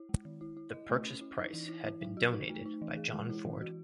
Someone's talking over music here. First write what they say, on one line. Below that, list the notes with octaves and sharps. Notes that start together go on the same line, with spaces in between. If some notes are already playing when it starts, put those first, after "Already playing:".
The purchase price had been donated by John Ford.
Already playing: E4
G#3
D#3
E4
E4
D#5
A3
C#4
E4
D#4
E3
E4
E4
F#3
F#4
D#4
A3
D#4
E3
G#4
G#3
E4
E3
F#4